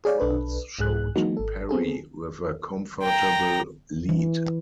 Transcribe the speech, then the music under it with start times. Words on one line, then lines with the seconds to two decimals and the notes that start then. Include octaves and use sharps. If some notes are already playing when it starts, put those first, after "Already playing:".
Polls showed Perry with a comfortable lead.
0.05 G#4 C#5 D5 F5 G#5
0.20 B1 D4 A4 B4
0.79 C2 G#2 G#4 F#6
1.16 E3 F#3 G#3 A#3 D#4 F#4
1.37 G#1 A4
1.69 B3 C4 G#4 A4
3.03 G5 A#5
4.09 E3